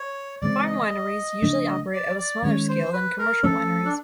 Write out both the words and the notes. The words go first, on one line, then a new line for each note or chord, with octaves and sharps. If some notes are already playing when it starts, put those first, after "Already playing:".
Farm wineries usually operate at a smaller scale than commercial wineries.
Already playing: C#5
C#3 E3 G#3 C4 D5
D#5
C#3 F3 A3 D4
D5
D5
D#3 G#3 C#4 C#5
C5
B4
A#4
F3 A3 C#4 A4
D4